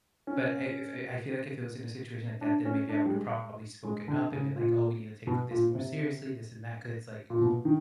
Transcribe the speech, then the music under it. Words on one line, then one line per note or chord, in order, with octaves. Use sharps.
But I I f I feel like if it was in a situation like that, then maybe I would’ve probably spoken up and been like, "Oh, we need to take this more seriously, this and that." 'Cause it's, like,
C#4
D4
C#4
D4
G3
G#3
G#3
D3
C#3
A#2
B2
A#2
C3
A#2
B2
D#3